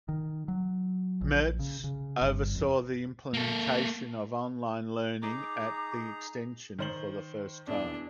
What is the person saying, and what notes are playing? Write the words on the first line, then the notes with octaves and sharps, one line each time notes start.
Metz oversaw the implementation of online learning at the extension for the first time.
D#3
F#3
A#1
C#3
C#3
G1
F2
A#3 A4
D#4 G#4 A#5 D6
D#3 C5 F#7
E2 B2 E3 D4